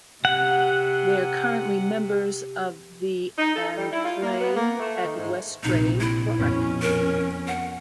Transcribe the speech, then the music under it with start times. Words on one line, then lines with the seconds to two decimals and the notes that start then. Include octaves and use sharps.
They are currently members of the and play at Westray Park.
0.25 C3 F#5
3.39 D#4
3.54 A4
3.77 G3
3.92 E4
4.04 F4
4.22 A#3
4.40 B3
4.55 A#3
4.79 A3
5.04 D#3
5.17 G#2
5.63 A#1 C3 D#4
6.00 E4
6.37 F2 B2 C#4
6.82 A#4
7.48 F#5